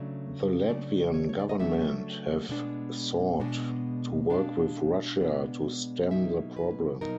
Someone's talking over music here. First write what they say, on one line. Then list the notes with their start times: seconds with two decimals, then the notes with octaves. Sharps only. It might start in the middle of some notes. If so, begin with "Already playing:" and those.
The Latvian government have sought to work with Russia to stem the problem.
Already playing: C#3 F#3 A3 D4
0.69 C#3 F#3 A3 D4 D5
1.14 C#5
1.29 C#5
1.40 D5
1.49 D#5
1.59 C#3 F#3 A3 D4 E5
2.49 B2 G#3 B3 D4
3.40 B2 G#3 B3 D4
4.30 B2 G#3 B3 D4 F5
5.21 B2 G#3 B3 D4
6.11 B2 F#3 A#3 D#4 E5
6.56 B4
7.01 B2 F#3 A#3 D#4 A#4